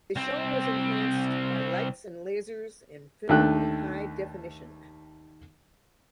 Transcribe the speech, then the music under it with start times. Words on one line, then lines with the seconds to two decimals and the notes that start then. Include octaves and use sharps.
The show was enhanced bylights and lasers, and filmed in high definition.
0.16 C2 C4
3.29 D#2 A3 D4 G5 F#6